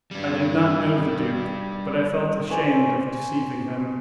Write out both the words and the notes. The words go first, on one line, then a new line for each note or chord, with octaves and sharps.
I did not know the duke, but I felt ashamed of deceiving him.
G3 D4
C5 D5 G#5 C#6